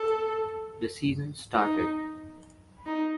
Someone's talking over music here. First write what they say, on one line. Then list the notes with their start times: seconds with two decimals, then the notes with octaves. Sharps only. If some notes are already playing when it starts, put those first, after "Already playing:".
The season started.
Already playing: A4
1.54 D#4
2.86 D#4